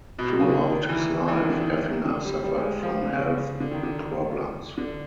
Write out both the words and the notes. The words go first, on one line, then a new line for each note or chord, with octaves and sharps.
Throughout his life, Effinger suffered from health problems.
B2
C3
C#3
D3
D#3
E3
E3
D#3
D3
D#3
D3
G3
G3
G#3
F3
D3
C#3
D3
D#3
D3
D3